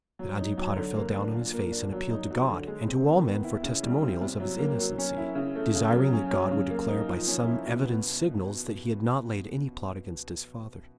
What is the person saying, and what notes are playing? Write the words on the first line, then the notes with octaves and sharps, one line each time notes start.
But Antipater fell down on his face, and appealed to God and to all men for testimonials of his innocency, desiring that God would declare, by some evident signals, that he had not laid any plot against his father.
F#3
D#4
F#3
D3
A#3
D4
A#2
A#3
D4
F#3
D#4
F#3
D3
G#3
C4
D#3
B3
E4
C#3
G3
C4
C3
F#3
A#3
F#3
C#4
E4
C#3
A3
C#3
F#3
C#4
F#3
C#3
A#3
D#4
F3
C#4
E4
B2
B3